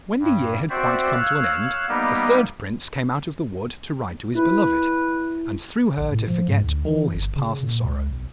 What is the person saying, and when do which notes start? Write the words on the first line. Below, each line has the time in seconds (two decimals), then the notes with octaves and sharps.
When the year had quite come to an end, the third Prince came out of the wood to ride to his beloved, and through her to forget all his past sorrows.
0.19 G2
0.70 C4 F#4 C5 D5 E5
1.13 C#5 F5 E6 F#6
1.88 G3 A#3 B3 D#4 G4
4.35 E4 B4
5.97 A#1
6.11 A2
6.27 F3
6.48 G#2
6.62 D2
6.85 E3
7.13 G1
7.36 C#3
7.63 A#2
7.84 C#2
8.09 B1